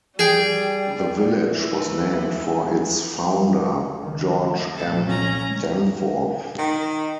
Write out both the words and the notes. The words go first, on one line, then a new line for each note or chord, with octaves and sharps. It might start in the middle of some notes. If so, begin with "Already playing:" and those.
The village was named for its founder, George M. Danforth.
G3 G#4 G5
E3
C#2 D#3
A3
C2 F2 A#2 A4
C#4 A#5
D#3